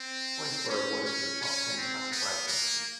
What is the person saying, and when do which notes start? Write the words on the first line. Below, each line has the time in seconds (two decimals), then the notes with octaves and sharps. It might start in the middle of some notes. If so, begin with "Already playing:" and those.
Points were awarded to the top ten classified finishers.
Already playing: C4
0.69 C#4
1.05 C#4
1.42 C#4
1.77 C4
2.12 B3
2.48 A#3